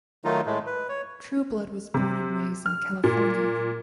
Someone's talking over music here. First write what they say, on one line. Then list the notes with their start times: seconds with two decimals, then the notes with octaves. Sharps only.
Trueblood was born and raised in California.
0.25 D#3 F#3 A3 D#4 F4
0.46 A2 G#3 A3
0.67 B4
0.89 C#5
1.94 C3
2.66 F6
3.04 A#2